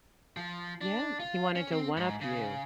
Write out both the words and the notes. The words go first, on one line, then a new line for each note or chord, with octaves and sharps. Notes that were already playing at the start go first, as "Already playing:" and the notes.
Yeah. He wanted to one up you.
F3
D4
F4
C#4
C4
G#2
C#3